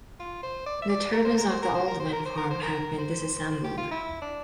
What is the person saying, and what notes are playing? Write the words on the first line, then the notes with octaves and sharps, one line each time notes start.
The turbines of the old wind farm have been disassembled.
F4
C5
D5
E5
D5
A#4
C5
A#4
C5
A#4
C5
A#4
C5
A#4
C5
A#4
C5
A#4
C5
G4
F4
E4
D4